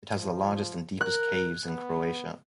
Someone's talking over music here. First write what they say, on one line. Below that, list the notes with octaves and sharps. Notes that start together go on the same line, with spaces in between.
It has the largest and deepest caves in Croatia.
F3
A#4 F#6
B3